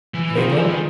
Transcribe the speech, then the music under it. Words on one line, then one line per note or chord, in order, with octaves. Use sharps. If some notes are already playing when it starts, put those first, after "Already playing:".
"In England?"
E3
D#3 F4 G#4 C5
F3
E3
D#3